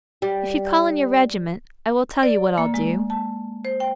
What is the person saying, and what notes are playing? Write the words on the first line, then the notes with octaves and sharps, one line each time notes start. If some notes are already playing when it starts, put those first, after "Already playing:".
If you call in your regiment I will tell you what I'll do.
G3
D5
A#3
G#3
A5
C5
G5